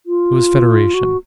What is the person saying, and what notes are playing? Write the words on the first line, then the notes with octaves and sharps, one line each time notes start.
It was Federation.
F4
F#4